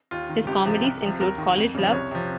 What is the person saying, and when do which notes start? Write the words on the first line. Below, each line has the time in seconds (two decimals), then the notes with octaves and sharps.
His comedies include Call It Love?
0.11 D#2 F4
0.30 D#3
0.47 C#2 G4
0.66 C3 F3
0.85 C2
1.01 C3 F3
1.20 D#2 A#4
1.38 D#3
1.56 F2
1.75 C#3 F3
1.92 C2 C#5
2.11 C3 F3